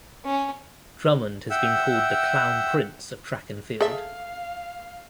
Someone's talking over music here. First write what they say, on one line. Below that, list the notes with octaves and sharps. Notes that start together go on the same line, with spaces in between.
Drummond has been called the "Clown Prince" of Track and Field.
C#4
E5 F#5 G5 E6
G#4 A4 E5 F5